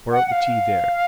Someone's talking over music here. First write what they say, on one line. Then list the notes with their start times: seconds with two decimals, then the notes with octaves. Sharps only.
Pour out the tea there.
0.12 F#5
0.27 F#5
0.31 F5